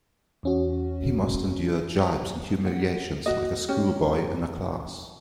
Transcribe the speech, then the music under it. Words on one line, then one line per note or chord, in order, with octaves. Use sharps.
He must endure gibes and humiliations like a schoolboy in a class.
E2 C#4 F#4
F#5
F#4 D#5
C#4 G4